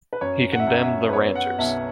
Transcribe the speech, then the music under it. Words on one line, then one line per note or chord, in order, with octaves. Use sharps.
He condemned the Ranters.
B4
F#2 C#5
F#5
E5
F#2 F#5
E5
B4
B3 C#5
F#5
B1 E5